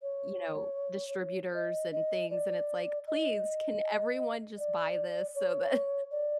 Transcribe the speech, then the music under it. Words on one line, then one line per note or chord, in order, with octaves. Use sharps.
you know, distributors and things, and it's like, "Please, can everyone just buy this so that"
C#5
D#5
D#5
D5
D#5
D5
C#5
D5